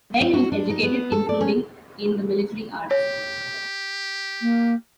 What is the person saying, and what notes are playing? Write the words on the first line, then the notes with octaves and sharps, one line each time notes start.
There he was educated, including in the military arts.
C4
F#4
D4
D#4
B3
A4
D5
C#4
G4 C#5
A#3